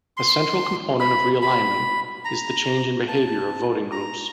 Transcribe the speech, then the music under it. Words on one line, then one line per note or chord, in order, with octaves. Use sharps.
A central component of realignment is the change in behavior of voting groups.
C6
B5
B5
A#5
A5
A#5